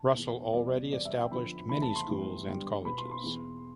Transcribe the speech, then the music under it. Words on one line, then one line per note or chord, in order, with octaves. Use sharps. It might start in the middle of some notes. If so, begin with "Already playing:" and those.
Russel already established many schools and colleges.
Already playing: A5
E2 B2 B3
E2 B2 G3 D5
E2 C3 G3 B3 D5
E5
G5
F2 D3 F3 B3 B5
E2 C3 E3 A3 B5
A5
C6
A2 E3 G3 B3
G2 D3 G3 B3
B2 B3 B5
C6
C6
E2 B2 B3